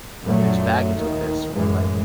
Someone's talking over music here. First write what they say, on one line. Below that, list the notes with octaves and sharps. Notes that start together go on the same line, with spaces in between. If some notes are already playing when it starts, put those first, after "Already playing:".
there's baggage with this where, like,
F#2 A#2 F#3 A3
D#2 D#3
F#2 A2 E3 G#3